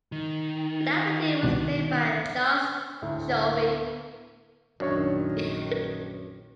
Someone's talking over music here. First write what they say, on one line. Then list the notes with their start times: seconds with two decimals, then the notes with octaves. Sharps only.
Laverty was played by Charles Cioffi.
0.12 D#3
1.43 C2 B2
3.02 D2 A2
4.80 A#1 F#2 D#3 D4 C#5